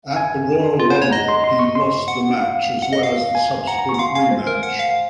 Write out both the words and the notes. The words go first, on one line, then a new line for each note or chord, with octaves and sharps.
At the Royal Rumble, he lost the match, as well as a subsequent rematch.
G#5
F4
C5 F#5
C#5
D#5 A#5
C6
C6
C#6
C6
F#5
F5
F#5
D#5
F5
G#5
F#5 A#5
A#5
C#6
F#5
F5 C6
F5 G#5
C5
A#4
F#5
F5